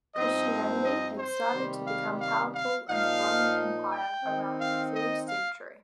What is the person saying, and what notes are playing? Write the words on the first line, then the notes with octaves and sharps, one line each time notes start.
Christianity had started to become powerful in the Roman Empire around the third century.
G2 F3 C4 D#4 D#5
D#5
C5
C3 D#3 G3
F5
F5
F5
A#2 F3 D#4 F5
G5
D#3 C4 D#4
F5
D#5
F5